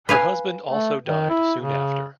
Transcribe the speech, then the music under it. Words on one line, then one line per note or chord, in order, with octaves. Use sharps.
Her husband also died soon after.
B4 F5 G#5
A3
D#3
E4
C#3